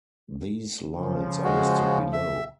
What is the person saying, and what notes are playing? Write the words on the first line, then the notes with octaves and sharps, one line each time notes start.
These lines are listed below.
C#3 F3
G#3 F#4
E5